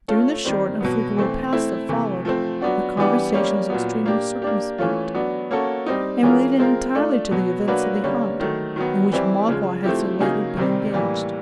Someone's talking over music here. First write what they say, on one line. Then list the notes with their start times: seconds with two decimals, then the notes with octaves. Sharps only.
During the short and frugal repast that followed, the conversation was extremely circumspect, and related entirely to the events of the hunt, in which Magua had so lately been engaged.
0.08 A3 C#4 F4 A4
0.45 D#3 G3 C4
0.80 B2 F#3 B3
1.17 E3 A3 C4
1.53 A3 C4 E4
1.89 C3 E3 A3
2.25 F3 A3 C4
2.61 F#3 B3 D4 F#4
2.97 E3 G3 B3 D4 G4
3.34 G3 A#3 C#4
3.70 A#2 F#3 B3
4.05 A#3 D4 G4
4.42 A#3 D4 G4
4.78 E3 A3 C#4 F4
5.14 F#3 B3 D4
5.51 A#3 C#4 F#4 A4
5.86 G3 C4 D#4
6.23 E3 G#3 C#4 F4 A#4
6.59 G#3 C4 F4 A#4
6.95 A3 D4 F4
7.31 B2 F#3 B3
7.68 F#3 A#3 D4 F#4 B4
8.03 D3 G3 A#3 C#4
8.40 D#3 F#3 A3
8.76 D#3 F#3 B3
9.12 E3 G3 C4 E4
9.48 C#3 F3 G#3
9.84 F3 A3 C4 E4 G4
10.20 C#3 F#3 A#3 D#4 G#4
10.57 C3 D#3 G3 C4
10.93 A2 E3 G3 A#3